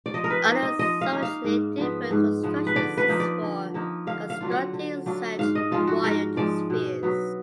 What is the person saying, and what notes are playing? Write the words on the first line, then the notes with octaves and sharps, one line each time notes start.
Other substantially different constructions exist for constructing such "wild" spheres.
D5
F3 D#5
A#4
B4
A#3 D#4
D#5
F3 D#5
F5
A#3 D#4
F5
G#2
F3 B3
G#2
F3 B3
B4
D3 D5
B4
F3 A#3 D#4
D5
D3
F3 A#3 D#4
D3 F5
F5
F#3 D4 F4
F#5
D3
F#3 D4 F4
G#2 F5
D#5
F3 G#3 D4 F4
F#4
G#2 A#4
F3 G#3 D4 D5
B2
F#3 B3